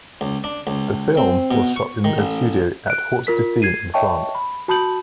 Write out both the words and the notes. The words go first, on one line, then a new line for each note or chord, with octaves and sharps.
The film was shot in a studio at Hauts-de-Seine in France.
C#2
D4
C#2
C4
B2
C#6
D#3
A1
F#6 D7
F4 A#4 B6
G#6 C7 D#7
C#5 D#5 E5 G5 A5 C#6
B5
F#4 A5 B5 D#6 G6 F#7